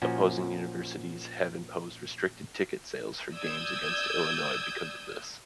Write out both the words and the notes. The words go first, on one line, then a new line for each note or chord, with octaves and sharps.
Opposing Universities have imposed restricted ticket sales for games against Illinois because of this.
A#2 F3 C#4 F#4
D5 D#6 E6 G6 G#6